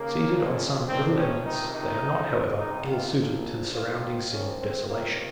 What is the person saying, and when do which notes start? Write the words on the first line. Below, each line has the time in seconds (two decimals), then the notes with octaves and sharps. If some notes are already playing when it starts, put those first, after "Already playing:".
Seated on some little eminence, they are not, however, ill suited to the surrounding scene of desolation.
Already playing: D#2 C#3 A#3
0.28 F2 C#3
0.86 G#1 G2 D#3 C4
1.15 C#4
1.44 C#2 C3 D#3 D#4
1.72 D#4
2.01 F2 C#3
2.58 C2 C3 D#3 D#4
2.88 F4
3.16 A#1 A#2
3.74 A#1 G#2 D#3 F4
4.31 G#1 G#2 D#3 C#4
4.59 C4
4.88 C#2 C3 D#3 A#3